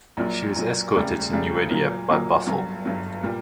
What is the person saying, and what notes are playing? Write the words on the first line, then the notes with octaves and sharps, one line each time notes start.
She was escorted to Nieuwediep by "Buffel".
A#1 A#2 F#3
A#1 A#2 F#3
E1 D2 C#3 G3
E1 D2 C#3 G3
A#2 F#3 A#3
A#2 F#3 A#3
G1 G2 F#3
G1 G2 F#3
A#2 G3